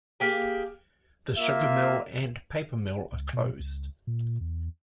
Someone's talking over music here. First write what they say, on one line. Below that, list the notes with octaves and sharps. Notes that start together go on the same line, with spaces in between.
The sugar mill and paper mill are closed.
A#3 G4 G#4
A#3 F4 E5
C#2
B2
C#2
A#2
E2